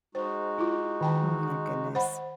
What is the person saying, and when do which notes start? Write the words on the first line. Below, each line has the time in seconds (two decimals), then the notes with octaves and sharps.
Mm, my goodness.
0.15 G#3 D#4 F#4 C5
0.58 E4 F4
1.01 D#3 G5 A5
1.95 C5 F#5 B5